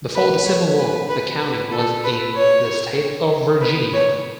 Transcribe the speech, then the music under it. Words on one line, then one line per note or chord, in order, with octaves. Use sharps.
Before the Civil War, the county was in the State of Virginia.
B4
C#5
B4
B4
B4
A4
B4
C#5
B4
C#5